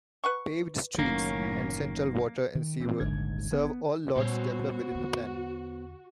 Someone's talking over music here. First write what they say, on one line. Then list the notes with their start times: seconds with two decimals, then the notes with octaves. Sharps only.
Paved streets and central water and sewer serve all lots developed within the plan.
0.24 B4 F#5 C#6
0.99 F#1 A2 D#3 F#3 A#3 C#4
2.55 D#3
2.80 E3 C4
3.00 D#1 G#1 G#2 D3 G#6
3.53 B3
4.16 A#2 G3 B3 F#4 C5 C#5
4.92 E2 D3